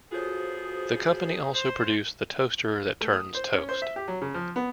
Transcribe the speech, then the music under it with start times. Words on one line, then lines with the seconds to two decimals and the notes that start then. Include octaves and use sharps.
The company also produced the toaster that turns toast.
0.12 F3 B3 F4 F#4 G#4 A4 C5 C#5
1.53 C5
3.01 A3
3.13 D#6
3.35 C5
3.53 C#4
3.69 C5
3.82 E5
3.96 G4
4.08 F#3
4.22 C#3
4.34 F3
4.56 B3